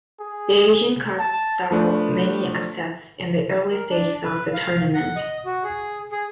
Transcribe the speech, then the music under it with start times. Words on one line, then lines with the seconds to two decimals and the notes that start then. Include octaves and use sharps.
The Asian Cup saw many upsets in the early stages of the tournament.
0.20 G#4
1.19 A5
1.71 F3 A3 D4 B4
3.71 A#4
3.90 D4
4.24 B4
4.53 F5
4.94 F#5
5.16 D#5
5.45 F#4
5.64 G#4
6.12 G#4